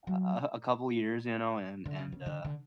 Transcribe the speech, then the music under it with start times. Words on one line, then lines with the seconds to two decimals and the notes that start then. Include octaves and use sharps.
a a a couple of years, you know, and and, uh,
0.07 F#3
1.86 D3
1.99 C#3
2.12 C#3
2.26 D3
2.45 D3